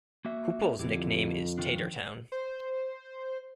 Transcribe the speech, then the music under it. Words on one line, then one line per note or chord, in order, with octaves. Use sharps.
Hoople's nickname is Tatertown.
A#3 F#4 E5
F2 D3 E4 G4
D#3 F3 D4
C5